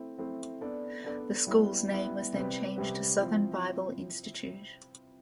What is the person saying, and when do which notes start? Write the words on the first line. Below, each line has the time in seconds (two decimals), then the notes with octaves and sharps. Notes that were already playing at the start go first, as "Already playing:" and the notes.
The school's name was then changed to Southern Bible Institute.
Already playing: A3 C4 E4
0.18 A3 C4 E4
0.61 B3 D4 A4 D5
1.04 B3 D4 A4 D5
1.47 G3 B3 E4
1.91 G3 B3 E4
2.33 C3 G3 C4 G4 B4
2.76 C3 G3 C4 G4 B4
3.19 F3 C4 E4